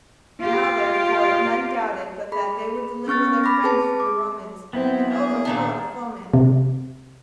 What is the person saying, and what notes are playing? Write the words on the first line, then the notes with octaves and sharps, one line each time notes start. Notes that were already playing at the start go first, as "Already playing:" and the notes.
Now, therefore, none doubted but that they would deliver their friends from the Romans, and overthrow the foemen.
F4 G4
G#4 B5
B3 C#4 C#6 F6 A6
B5 D6 A#6
C4 G#4 B4 A5
D6
F#3 B3 C4 E4
G#4
A#2 D#3 D4
C3